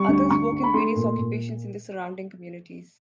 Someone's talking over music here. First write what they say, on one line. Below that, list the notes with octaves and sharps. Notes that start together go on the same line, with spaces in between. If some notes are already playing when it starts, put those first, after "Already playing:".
Others work in various occupations in the surrounding communities.
Already playing: G3 C#6
D2
D2 C#6
D3
B5
A3 C6
A#2
A#2